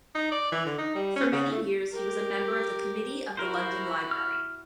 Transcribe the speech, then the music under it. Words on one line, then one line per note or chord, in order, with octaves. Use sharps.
For many years he was a member of the committee of the London Library.
D#4
D5
E3
D3
D#4
G3
C#4
C#3
A3
G4 A#4
E4 F#4 A#4 C5
F6